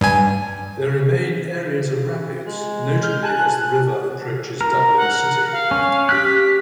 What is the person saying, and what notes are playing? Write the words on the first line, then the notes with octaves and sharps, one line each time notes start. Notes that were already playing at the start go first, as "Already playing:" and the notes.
There remain areas of rapids, notably as the river approaches Dublin city.
G2 G#5
G#3
F6 G6
G#5 A5 F#6
A#4
F#5
F5
C#4
G4 F6 F#6 B6